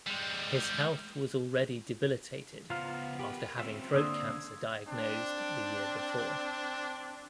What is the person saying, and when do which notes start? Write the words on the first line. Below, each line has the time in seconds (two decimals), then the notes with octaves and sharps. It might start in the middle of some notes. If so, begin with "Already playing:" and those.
His health was already debilitated after having throat cancer diagnosed the year before.
0.07 G3 G#3
2.70 C#3 B3 F4 C5 A#5 F6
3.19 G4 A#4 B5
3.59 C4 C#4 F4 C#5 E5
3.94 D3 A#3 D4 C5 D#6 E6 G#6
4.87 C4 D4